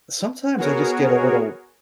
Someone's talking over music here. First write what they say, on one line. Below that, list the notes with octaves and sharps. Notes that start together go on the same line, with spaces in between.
sometimes I just get a little
B3 F#4 G#4 A#4 C#5